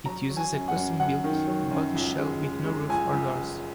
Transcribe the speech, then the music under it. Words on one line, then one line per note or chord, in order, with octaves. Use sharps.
It uses a custom built bodyshell with no roof or doors.
F#3 A#5
F#3
G#5
F#2
F#5
F#2
F#2 F#5
D#3
F#3
F#2
C#2
G#3
G#3
G#3
C#2 G#5
C#2
G#3